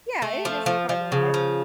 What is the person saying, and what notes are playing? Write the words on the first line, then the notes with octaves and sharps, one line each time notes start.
Yeah, it is a part of life,
A3
F3
F3
F3
C#3
F3